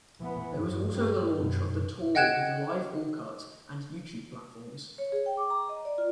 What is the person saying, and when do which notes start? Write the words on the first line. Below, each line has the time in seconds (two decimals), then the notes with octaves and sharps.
There was also the launch of the tour with Live Orkut and YouTube platforms.
0.20 E3 B3
0.55 G2
0.93 G3 A#3
1.34 F#2 B2
2.15 D#5 F#5 G5 F#6 G#6 E7
4.98 C#5
5.12 G#4
5.26 G5
5.37 D6
5.50 A#5
5.69 D#5
5.85 D5
5.98 F4